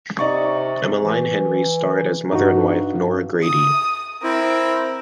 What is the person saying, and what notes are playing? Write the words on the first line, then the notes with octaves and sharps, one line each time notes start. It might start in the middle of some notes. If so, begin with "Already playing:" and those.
Emmaline Henry starred as mother and wife, Nora Grady.
C3 D#4 D5 C#6
E3
G2 D#4 F#4
D#6
C4 E4 A#4